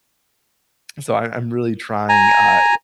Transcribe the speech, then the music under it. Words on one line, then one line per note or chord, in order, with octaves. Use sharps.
so, I I'm really trying, uh,
G#5 A#5